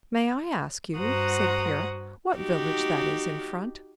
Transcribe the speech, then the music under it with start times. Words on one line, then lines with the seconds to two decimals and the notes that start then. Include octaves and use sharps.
"May I ask you," said Pierre, "what village that is in front?"
0.97 G2 F#4 C5 F#5 A#5 D#6
2.36 D#4 F#4 G4